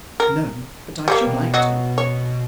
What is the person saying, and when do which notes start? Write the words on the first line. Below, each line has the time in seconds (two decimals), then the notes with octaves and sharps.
"No, but I should like to."
0.20 A#4
1.08 G3 G#3 A#3 G4
1.27 B2
1.54 F#3 F#4 D#5
1.98 C#5